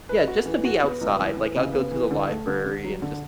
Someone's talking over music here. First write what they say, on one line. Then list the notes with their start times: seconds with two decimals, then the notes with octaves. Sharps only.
Yeah. Just to be outside, like, I'll go to the library and just
0.09 B4
0.28 F#4
0.46 E3
0.65 F#4
0.83 B3
1.01 C#2
1.19 E3
1.37 E3
1.56 C#3
1.73 B3
1.92 E3
2.11 D3
2.29 A3
2.47 D3
2.65 D3
2.84 F#3
3.02 D3